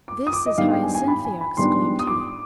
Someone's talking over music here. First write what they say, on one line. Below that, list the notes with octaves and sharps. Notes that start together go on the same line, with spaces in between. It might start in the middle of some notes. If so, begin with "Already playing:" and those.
"This is Hyacinthia!" exclaimed he.
D6
D#6
D6
D#5
G#2 D#3 G3 B3 D4 F5
G5
G#5
G#5
B5
G#5
B5
G#2 G3 B3 D4 C6
D#6
D6